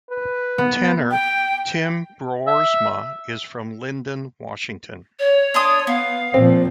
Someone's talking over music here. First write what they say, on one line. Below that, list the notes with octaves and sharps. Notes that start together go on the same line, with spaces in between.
Tenor Tim Broersma is from Lynden, Washington.
B4
B3
G5
E5
C#5
D4 C6 D#6
B3 F5
A#2 F3 C4